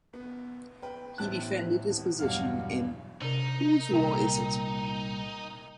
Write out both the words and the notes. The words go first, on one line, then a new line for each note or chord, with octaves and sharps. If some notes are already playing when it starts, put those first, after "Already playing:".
He defended his position in Whose War Is It?
B3
B4 G5
A1 B3 C4 E4 A5 F#6
D#1
B1 E2 G2 F5 F#5 F6
C3 D4 D#4 A#4
C2 A#2 A#4 G5 A#5